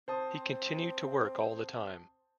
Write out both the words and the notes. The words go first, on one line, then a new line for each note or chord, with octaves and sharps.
He continued to work all the time.
C4 C5 A5 D#6